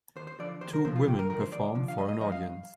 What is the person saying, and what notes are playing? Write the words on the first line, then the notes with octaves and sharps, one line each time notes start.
Two women perform for an audience.
D#2 C5
C5
D3 F3 D5
D#2 C5
A#4
D3 F3 C5
F4
D#2 G4
A#4
D3 F3 A#4
C5
D#2 D5
D3 F3
F5
G2 D#5
D#5
F3 D#5
F5
G2